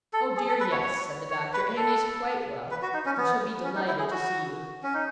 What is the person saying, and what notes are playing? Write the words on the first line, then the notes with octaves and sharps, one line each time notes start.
'Oh dear, yes!' said the Doctor; 'Annie's quite well, and she'll be delighted to see you.
A4
G#4
A4
B4
C#5
C#5
C#5
B4
A4
B4
F#4
D#4
C#4
B3
C#4
D#4
E4
G#4
F#4
C#4
D#4